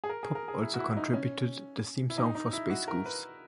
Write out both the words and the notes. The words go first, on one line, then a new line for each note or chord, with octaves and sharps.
Pop also contributed the theme song for "Space Goofs".
G#4
A#4
G#4
A#4
G#4
E4
F#4
E4
D#4
C#4
E4
D#4
D#4
E4
F#4
A#4
B4